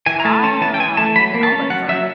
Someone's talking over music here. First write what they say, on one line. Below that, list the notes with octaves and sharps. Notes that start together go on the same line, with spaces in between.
Ah, you've been all over.
E3 G#5
A#5
A3 A5
C#4 A5
E3 A5
G5
E3 G#5
A3 A5
F#3 B5
A#3
A5
C#4
F#3 F#5
F#3 E5